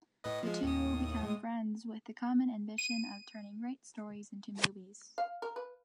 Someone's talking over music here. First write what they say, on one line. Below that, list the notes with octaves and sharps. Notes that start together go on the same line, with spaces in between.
The two become friends with the common ambition of turning great stories into movies.
A2 B4 D#5
F3 G#3
D#2 A2 D#6
G#3
D#7
F5
A#4
B4